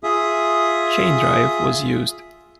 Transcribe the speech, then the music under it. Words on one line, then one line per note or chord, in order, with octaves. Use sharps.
Chain drive was used.
F4 G#4 E5 D#6